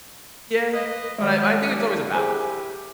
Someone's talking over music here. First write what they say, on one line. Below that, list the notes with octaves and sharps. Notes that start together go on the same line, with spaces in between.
Yeah. But I I think it's always a balance, really.
B4 D#5
D#3 F#3 G#3
G3 D4 E4
E4 G4 G#4 C5 G#5